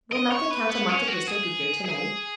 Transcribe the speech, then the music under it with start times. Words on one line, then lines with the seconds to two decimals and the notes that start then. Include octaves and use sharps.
"Will not the Count of Monte Cristo be here to-night?"
0.12 D#5
0.31 C#5
0.51 B4
0.69 B3
0.89 C#4
1.07 F#4
1.28 G#4
1.85 G#4